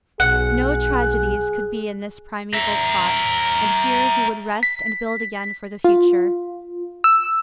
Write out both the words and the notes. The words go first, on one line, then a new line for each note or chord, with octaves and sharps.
No tragedies could be in this primeval spot, and here he would rest and build again for the future.
B1 G#4 F#5 F#6
A#4 E5
B6
F4
E6